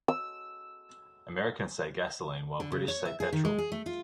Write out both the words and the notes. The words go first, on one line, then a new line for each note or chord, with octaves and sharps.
Americans say gasoline while British say petrol.
E6
D3
C#3
C#5
E5
G#4
D#3
G#3
G#4
A3
F4